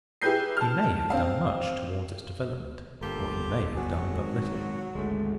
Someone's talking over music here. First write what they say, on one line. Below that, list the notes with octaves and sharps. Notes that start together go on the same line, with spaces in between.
He may have done much toward its development or he may have done but little.
E4 G4 G#4 B4 G6 C7
A5 F6
C4 F5
G1 G2 A#3 F4 G4 A4 A#4
F#3 F#4 G#4
G#2 D#3
G#1 D2 G#3 A3